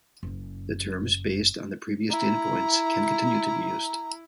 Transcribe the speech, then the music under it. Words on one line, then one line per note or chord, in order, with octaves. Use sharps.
The terms based on the previous data points can continue to be used.
F#1 F#2
E4 A#5